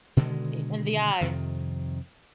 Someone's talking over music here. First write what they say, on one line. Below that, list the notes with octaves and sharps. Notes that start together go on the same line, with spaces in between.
I In the eyes.
B2 D3 D#3 G#3
F2 C3 D#3